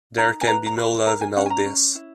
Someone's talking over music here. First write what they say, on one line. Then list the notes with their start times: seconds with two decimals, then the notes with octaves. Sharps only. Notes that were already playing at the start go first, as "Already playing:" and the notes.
There can be no love in all this.
0.17 D#4 A#5
0.41 G#5
0.47 B4 A#5
0.66 A#5
0.77 F#4 B5
1.06 A#4 A#5
1.21 G#5
1.36 C#4 F#5
1.46 G#5
1.50 A#5
1.65 C#4
1.95 E4